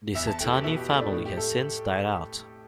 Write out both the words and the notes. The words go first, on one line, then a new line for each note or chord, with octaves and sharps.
The Caetani family has since died out.
E2 E5
A5
E3 A3 G5
G4
B2 E4
G4
A3 E4
D4
A2
G4
A3 A4